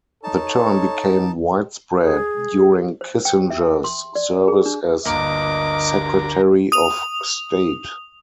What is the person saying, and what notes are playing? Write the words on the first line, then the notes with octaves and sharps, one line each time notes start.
The term became widespread during Kissinger's service as Secretary of State.
D#4 A4 C#5 A5
G#4
C5
G5
E5
C6
D5
G#4
D4
G1 D2 A#3 A#4 D#5 D6
D#6 F7